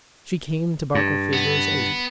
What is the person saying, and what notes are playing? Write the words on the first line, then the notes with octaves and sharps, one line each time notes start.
She came to Barkilphedro's aid!
G2
B3